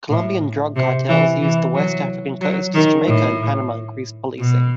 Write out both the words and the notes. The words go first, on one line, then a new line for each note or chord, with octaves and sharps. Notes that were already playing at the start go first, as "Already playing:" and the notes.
Colombian drug cartels used the West African coast as Jamaica and Panama increased policing.
A2
C3
E3
E3
F#3
F#3
D#3
A2
B2